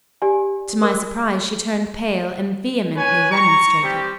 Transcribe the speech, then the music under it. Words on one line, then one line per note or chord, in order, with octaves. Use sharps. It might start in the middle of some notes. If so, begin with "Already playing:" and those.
To my surprise she turned pale, and vehemently remonstrated.
G4 D5 G#5
A#4 D6
B4 C#5 G#5
A#5 C#6
G3 C4 G4